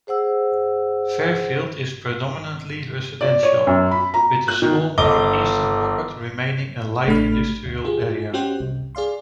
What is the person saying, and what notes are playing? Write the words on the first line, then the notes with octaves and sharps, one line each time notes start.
Fairfield is predominantly residential, with a small north-eastern pocket remaining a light industrial area.
G#4 C5 F#5 E6
D5
C#5
F#2
B5
A#5
F#6
D#3
G1 D#5 D6 G7
A1 A3 D4 B5 F6
D2
F4 G4 G#4
C#4 F#4 G4 C5 F#5 G5
C2
G#4 D5 F5 C6